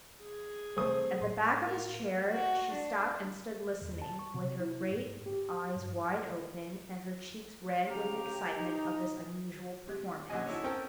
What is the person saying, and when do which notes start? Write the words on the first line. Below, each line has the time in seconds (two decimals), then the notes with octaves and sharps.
At the back of his chair she stopped and stood listening, with her great eyes wide open and her cheeks red with excitement of this unusual performance.
0.21 G#4
0.77 C3 E3 G3 A3 C4 C5 D#6
1.21 A2 C6
1.62 A#4 F5
2.31 F#4
2.73 D4
3.82 E2
4.02 A5
4.19 C#6
4.34 C3
4.60 E4
4.91 G#2
5.26 G4
5.76 G2
7.86 D2 C#3 G4 F5 A#5
8.52 D#4
9.88 C3
10.30 A#1 D3 C#4 F#4 D#5 G#5
10.47 D#4 E4 A4 C#5
10.64 C4 C#4 A4 A#4 G5